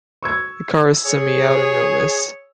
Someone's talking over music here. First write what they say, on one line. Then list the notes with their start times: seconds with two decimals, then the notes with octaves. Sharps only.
The car was semi-autonomous.
0.23 C#6 E6 G#6
1.05 G#4 C#5